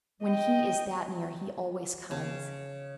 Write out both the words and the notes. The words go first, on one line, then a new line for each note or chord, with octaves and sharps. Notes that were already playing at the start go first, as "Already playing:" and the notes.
When he is that near he always comes.
D#5 G5
C#3